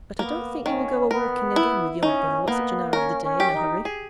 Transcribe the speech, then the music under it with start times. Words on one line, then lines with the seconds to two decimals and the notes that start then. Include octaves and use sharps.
But I don't think you will go a-walking again with your beau, at such an hour of the day, in a hurry.
0.19 A#3 B3
0.65 D#3 C#4
1.11 B3 A#4
1.56 E4
2.03 C#4 D#4
2.48 A#3 B3
2.93 C#4 A#4
3.24 C#4
3.40 G4
3.54 D#4
3.85 G#4